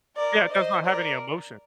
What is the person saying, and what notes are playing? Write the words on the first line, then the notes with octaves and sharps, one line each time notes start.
Yeah, it does not have any emotion.
A#4 D5
C5 D#5
A#4 D5